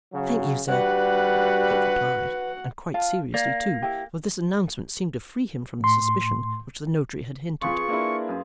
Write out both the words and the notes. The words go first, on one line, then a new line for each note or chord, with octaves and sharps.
'Thank you, sir,' Kit replied; and quite seriously too, for this announcement seemed to free him from the suspicion which the Notary had hinted.
C#3 F#3
G2 G3 F#4 B4 F#5
F4 F5 A5
A#3 D5
E4 G4
A2 C6
F2 F4 G#4 B4 C#6
A#3 D4 E4
F#2